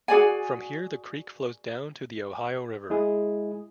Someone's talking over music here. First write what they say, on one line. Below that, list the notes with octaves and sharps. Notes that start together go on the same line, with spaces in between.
From here the creek flows down to the Ohio River.
F#4 G#4 D5 G#5
G#3 E4 G#4